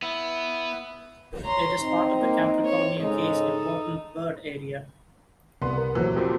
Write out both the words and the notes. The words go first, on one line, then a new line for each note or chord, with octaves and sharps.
It is part of the Capricornia Cays Important Bird Area.
B3 E4 E5
C#5 A#5 C6
C4 D#4
A#3
C#5
G#2 C#3 G#3 D#4 A4
C2 B3 C6
A#4
D#1 E3 F#3 C5
F2 A#2 F3 G4